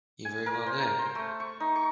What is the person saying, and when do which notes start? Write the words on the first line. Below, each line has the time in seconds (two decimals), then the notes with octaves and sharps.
You very well could.
0.25 G#5
0.46 A#4
0.66 C5
0.99 C5
1.15 A3
1.40 C#6
1.60 D#4
1.76 C#6